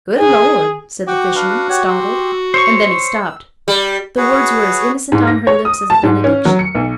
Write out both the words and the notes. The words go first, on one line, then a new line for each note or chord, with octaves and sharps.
"Good Lord!" said the fisherman, startled, and then he stopped--the words were as innocent on her lips as a benediction.
G#4
F#4 F#5 G5 D6
D4 B4 F5
G4 C#5 F#5
G4 C6 E6
C5 C#5 C#6 E6
G3
F#4 G#4 B4 C#5
G#2
A#6
C#5
D#6
A5
G#2
C#4
F#3
C#7
B1